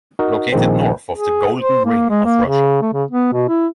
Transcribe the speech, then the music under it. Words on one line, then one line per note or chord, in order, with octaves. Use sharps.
Located north of the Golden Ring of Russia.
D#4 F#4 A#4
A#1 D#3 G#3 C4
G#4
C5
A#3
G#3
A#3
C#3
A3
C#3
B3
B2
E4